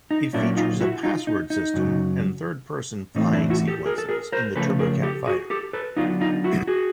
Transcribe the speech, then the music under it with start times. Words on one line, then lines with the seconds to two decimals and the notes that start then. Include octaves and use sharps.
It features a password system and third-person flying sequences in the Turbokat Fighter.
0.11 D#4
0.33 A#2 F#3 A#3 C#4 D4 E4
0.57 D#4 F4
0.81 E4 F#4
1.03 D#4 F4
1.27 D#4
1.50 D#4
1.74 F#2 C#3 F#3
3.15 A2 E3 A3 C4 D#4
3.33 D4 E4
3.50 E4 F#4
3.68 G4 A4
3.86 G#4 A#4
3.98 A4
4.09 G#4 A#4
4.32 A#4 C5
4.56 C#3 F3 A3 C#4 A4 B4
4.79 G#4 A#4
5.03 G4 A4
5.27 F#4 G#4
5.50 G4 A4
5.73 A4 B4
5.97 D3 F#3 B3 D4 D#4 F4
6.21 D#4 F4
6.44 E4 F#4
6.67 F#4 G#4